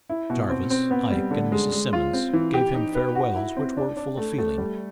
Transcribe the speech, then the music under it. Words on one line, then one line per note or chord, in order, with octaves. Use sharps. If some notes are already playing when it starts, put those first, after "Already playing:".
Jarvis, Ike, and Mrs. Simmons gave him farewells which were full of feeling.
E4
B2
C4
C4
B3
G3
D3
G#3
G#3
F4
C4
E3
G4
D#4
B4
F#4
E4
C4
D4
D4
A3
A3
G3